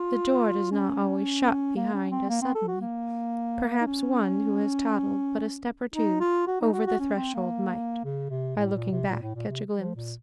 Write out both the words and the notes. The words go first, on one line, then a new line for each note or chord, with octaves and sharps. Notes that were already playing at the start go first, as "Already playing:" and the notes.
The door does not always shut behind us suddenly. Perhaps one who has toddled but a step or two over the threshold might, by looking back, catch a glimpse....
Already playing: F4
C#4
A#3
C#4
C4
A#3
C4
A4
F#4
A#3
D#4
C#4
D#4
F4
F#4
D#4
F#4
F#4
C#4
C4
A#3
C#3
C3
A2
A#2
C3
A#2
A2
A#2
C3
F3
A#2